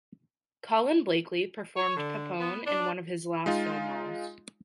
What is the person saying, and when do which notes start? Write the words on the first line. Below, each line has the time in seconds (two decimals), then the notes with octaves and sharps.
Colin Blakely performed Peppone in one of his last film roles.
1.77 C#5
1.96 D3
2.40 B3
2.66 D4
3.46 G#3 D#4 F4